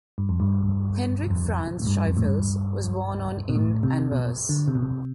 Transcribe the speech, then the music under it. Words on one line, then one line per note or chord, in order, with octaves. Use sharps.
Hendrik Frans Schaefels was born on in Anvers.
G2
F2
G2
F2
A2
G2
F2
A2
G2
B2
A2
C3
B2
D3
C3
B2
C3